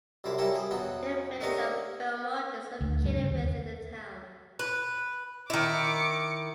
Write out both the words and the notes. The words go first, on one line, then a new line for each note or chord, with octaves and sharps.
The Village of Belmont is located within the town.
C2 F#2 E4 F4 D6
G3 A#3 C#4 E4 G4 A4
F3 G#4
E2 B2 F#3 B3 G5
A3 D4 D#4 G4 A#4 C#5
D2
G2
C#3
D#2
B4
D#3 E4 D6 C#7